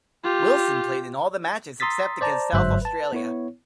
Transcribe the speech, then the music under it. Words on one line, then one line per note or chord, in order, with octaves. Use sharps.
Willson played in all of the matches except against South Australia.
F4 G4
A#5 C6 D#6 E6 A6 B6
C5 D5 A5 A#5
G1 G#2 F#3 C5 E5 F#6
B4 A5
B3 E4 C#5